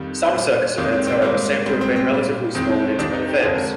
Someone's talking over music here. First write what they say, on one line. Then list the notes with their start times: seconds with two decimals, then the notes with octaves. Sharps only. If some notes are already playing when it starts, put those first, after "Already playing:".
Some Circus events, however, seem to have been relatively small and intimate affairs.
Already playing: F2 D#3 G3
0.33 A#2 G3
0.77 F2 C3 D#3 G#3 A#3
0.93 C4
1.07 C4
1.22 G#2 G3 A#3
1.66 G#2 G3 C4
1.81 C4
1.96 C4
2.10 A#2 G3
2.54 F2 D#3 G#3 C4
2.99 F2 C3 D#3 D4
3.13 D#4
3.28 G4
3.43 F2 D3 F3 G#3 G#4
3.55 A#4